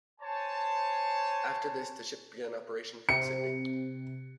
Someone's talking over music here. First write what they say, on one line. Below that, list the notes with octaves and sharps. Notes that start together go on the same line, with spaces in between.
After this, the ship began operation from Sydney.
C5 C#5 G#5 A5
C3 C#7